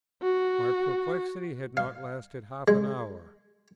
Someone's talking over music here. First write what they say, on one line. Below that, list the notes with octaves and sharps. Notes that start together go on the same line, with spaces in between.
My perplexity had not lasted half an hour.
F#4
F5
G#3